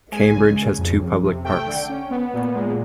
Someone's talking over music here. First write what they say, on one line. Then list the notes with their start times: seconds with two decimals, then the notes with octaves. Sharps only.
Cambridge has two public parks.
0.12 G#3 G#5
0.34 C#3
0.57 C#3
0.78 F2
1.00 F2
1.22 C3
1.44 A3 G5
1.66 D3
1.89 C#4
2.11 B3
2.33 A#2
2.55 G#3